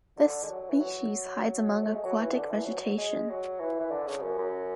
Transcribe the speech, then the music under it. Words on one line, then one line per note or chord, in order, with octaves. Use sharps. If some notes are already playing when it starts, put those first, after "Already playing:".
This species hides among aquatic vegetation.
D3
G#3
F#3
E3
F#3
A3
G#3
F#3
E3
D3
E3
F#3
G#3
F#3
E3
E3
D3
C#3
F#2
F#2